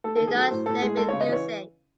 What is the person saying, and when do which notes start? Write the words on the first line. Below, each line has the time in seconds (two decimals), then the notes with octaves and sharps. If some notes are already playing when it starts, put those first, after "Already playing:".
Do not let me lose it.
0.04 A3 A4
0.16 D#3 A4
0.27 G#4
0.35 F#3 A4
0.51 A2 C5
0.66 A2 A4
0.82 G#3 G#4
0.97 G#3 A4
1.09 C#3 C#5
1.21 D#5
1.29 E3 C#5